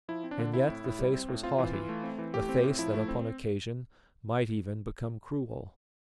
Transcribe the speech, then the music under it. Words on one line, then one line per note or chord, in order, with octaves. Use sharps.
And yet the face was haughty, a face that upon occasion might even become cruel.
F3 E4
C4
D4
D3
C4 E4
A2
A2
G3
C4
A2
C4 F4
E3
E3
A3
C4
E3
A3 G4
C4
A2
F3 E4
A3
C4